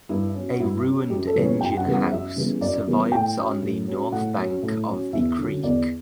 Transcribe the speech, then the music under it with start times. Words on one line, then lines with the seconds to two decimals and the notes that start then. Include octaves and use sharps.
A ruined engine house survives on the north bank of the creek.
0.09 G2 E4
0.35 F#3 C#4
0.52 F#4
0.60 G2 E4
0.85 F#3 C#4
1.10 F#2 G4
1.27 A4
1.36 C#3 E3 G3 B3
1.44 C#5
1.61 F#2 G5
1.77 F#5
1.86 C#3 E3 G3 B3
1.94 F#5
2.11 F#2 E5
2.36 C#3 E3 G3 B3
2.61 F#2 D5
2.86 C#3 E3 G3 B3
3.11 A2 G5
3.37 F#3 C#4
3.62 A2
3.87 F#3 C#4
4.12 A2 F#5
4.37 F#3 C#4
4.63 A2
4.88 F#3 C#4
5.13 E2 E5
5.38 D3 F#3 C#4
5.63 E2 D5